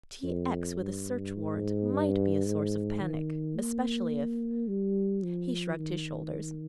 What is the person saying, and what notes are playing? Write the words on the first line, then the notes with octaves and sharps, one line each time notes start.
T. X. with a search warrant might be a source of panic especially if--he shrugged his shoulders.
F2
G2
G#2
G2
G#2
D#3
A#3
G3
F3
D#3